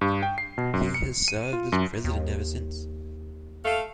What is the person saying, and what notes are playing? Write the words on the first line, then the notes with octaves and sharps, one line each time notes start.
He has served as president ever since.
G2
G5
C7
B2
F#2
C#7
D#7
F4
F#2
D#2
A3 F5